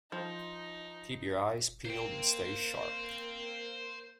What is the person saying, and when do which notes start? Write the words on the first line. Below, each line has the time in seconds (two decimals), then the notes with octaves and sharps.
Keep your eyes peeled and stay sharp.
0.12 F3 D#4
1.85 A#3 C5 G5